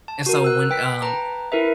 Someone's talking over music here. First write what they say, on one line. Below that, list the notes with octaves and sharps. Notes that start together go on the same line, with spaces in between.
and so when, um
A5
F#4 A#4
E6 F#6
B4 G5 B6
B4 G5 A5 A#5
E4 A#4 B4 E5